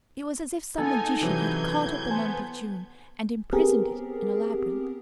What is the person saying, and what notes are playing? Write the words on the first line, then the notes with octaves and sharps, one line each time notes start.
It was as if some magician had caught up the month of June and imprisoned it in a labyrinth.
B3 D#4 G#4 A4 G#5
C3 E3 F#3 G6 G#6
B3 C5 G#5 A5
B3 C4 G4 G#4 A#4